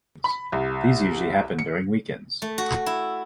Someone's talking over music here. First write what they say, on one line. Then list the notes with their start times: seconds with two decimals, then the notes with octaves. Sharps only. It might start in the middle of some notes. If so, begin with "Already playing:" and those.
These usually happen during weekends.
0.24 B5
0.52 C2
1.59 C#7
2.42 A3
2.58 F#4
2.86 E4